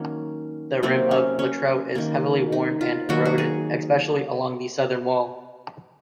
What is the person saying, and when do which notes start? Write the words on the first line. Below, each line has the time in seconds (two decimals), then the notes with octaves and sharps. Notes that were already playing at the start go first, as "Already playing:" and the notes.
The rim of Littrow is heavily worn and eroded, especially along the southern wall.
Already playing: D#3 F#3 A#3 C#4
0.83 C3 F#3 A#3 C4
1.11 C#4
1.39 C#4
1.95 D#3 A#3
2.52 D#4
2.81 F4
3.09 D#3 F#3 A#3 F#4
3.25 F#4
3.38 G#4